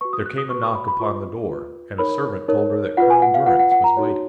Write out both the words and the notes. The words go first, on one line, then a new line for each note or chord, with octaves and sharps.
There came a knock upon the door, and a servant told her that Colonel Durrance was waiting.
F#4 B4 C#6
D#6
F#6
D#6
F#4 B4 C#6
C#6
B5
B5
F4 B4 C#6
F4 B4
D#4 A#4 C#5 B5
D#4 A#4 C#5
F4 B4 F#5
G#5
F#5
F5
F4 B4 F#5
F#5
F#5
A#5
D#4 F#4 C#5